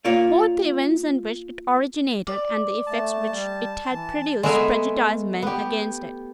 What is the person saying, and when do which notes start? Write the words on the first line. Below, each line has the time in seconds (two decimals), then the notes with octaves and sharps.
Both the events in which it originated, and the effects which it had produced, prejudiced men against it.
0.05 A#3 F4 C#5 D5
2.27 D5
2.87 A3 A5
3.32 G3
3.90 E3
4.43 G#3 A3 B3 A#4 E5 G#5
5.42 B3 G4